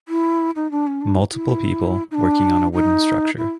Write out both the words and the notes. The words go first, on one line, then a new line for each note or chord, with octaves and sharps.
Multiple people working on a wooden structure.
E4
D#4
D4
C#4
D4
E4
D#4
D4
D#4
E4